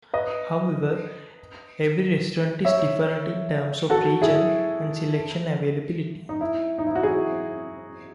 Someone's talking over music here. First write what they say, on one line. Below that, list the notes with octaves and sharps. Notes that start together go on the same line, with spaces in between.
However, every restaurant is different in terms of region and selection availability.
B4 D#5
C#5 E5
F#4 A4
E4 G#4
D#4
E4
D#4
E4
F#4
E4 G#4